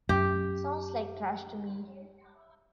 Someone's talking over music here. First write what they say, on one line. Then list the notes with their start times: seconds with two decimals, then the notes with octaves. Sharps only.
Sounds like trash to me!
0.09 F#2 G4